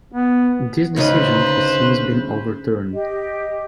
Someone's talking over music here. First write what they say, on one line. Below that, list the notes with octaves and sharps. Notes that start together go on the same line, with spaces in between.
This decision has since been overturned.
B3
D2 C#3 D#4 B4 C5
G4 D#5